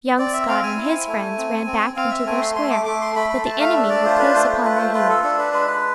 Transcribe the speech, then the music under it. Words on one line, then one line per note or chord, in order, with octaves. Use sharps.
Young Scott and his friends ran back into their square, but the enemy were close upon their heels.
C4 D5
E5
C4 F5
G#5
E4
A3
C4
C4
C4 F5
E5
A3 G#5
C6
A3 C6
D6
A3 D6
C6
A3 B5
B5
A3 A5
F5
D4 E5
D5
F4 C5
B4
A3 C5
C5
F4 B4
C5
F4 B4
A4
D4 A4
B4
G#3 B4